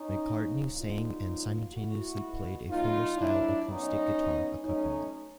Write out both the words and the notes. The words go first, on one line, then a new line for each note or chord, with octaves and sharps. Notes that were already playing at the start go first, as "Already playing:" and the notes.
McCartney sang and simultaneously played a fingerstyle acoustic guitar accompaniment.
Already playing: C#4 D#4
C#3 F3 A3
D3 F3 G#3 B3 D#4 F4
B2 F#3 A#3
A2 E3 A3 E4 F#4
B2 G#3 B3
A2 F#3 B3 D#4 F4
B2 F#3 A3 D4 E4
A#2 F#3 B3 C#4 D#4
B2 G#3 B3
B2 F#3 A3 C#4 D#4